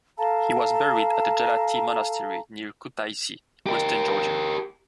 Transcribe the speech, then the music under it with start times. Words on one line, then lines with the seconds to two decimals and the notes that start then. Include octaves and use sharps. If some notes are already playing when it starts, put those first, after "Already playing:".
He was buried at the Gelati Monastery near Kutaisi, western Georgia.
0.18 A4 F5 A5 A#5
3.67 G4 A#4